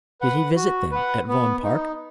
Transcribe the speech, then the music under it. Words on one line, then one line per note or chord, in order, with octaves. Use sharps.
"Did he visit then at Vaughan Park?"
B4 F#5
F#4
B4 F#5
B3
D#4